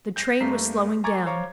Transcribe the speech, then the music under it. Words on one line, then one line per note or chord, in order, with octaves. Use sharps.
The train was slowing down.
G6 A#6 C7
G2 A3 A#3 A#5 B6 C7
G#5 A#5 C#6 D6 G#6 A6
C5 C#5 F5 A#5 C#6 D6